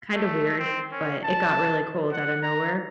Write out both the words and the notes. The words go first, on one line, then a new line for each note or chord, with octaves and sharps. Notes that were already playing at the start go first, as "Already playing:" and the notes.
kinda weird, but it got really cold outta nowhere.
A3
C4
C#4
A5
F#5
A#5